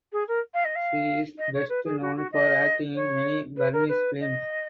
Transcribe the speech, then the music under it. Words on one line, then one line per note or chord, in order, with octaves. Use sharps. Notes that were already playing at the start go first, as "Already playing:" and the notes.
She is best known for acting in many Burmese films.
G#4
A#4
F5
D#5
F5
D#5
C#5
B4
G#4
F#4
F#4
D#5
C#5
B4
A#4
B4
D#5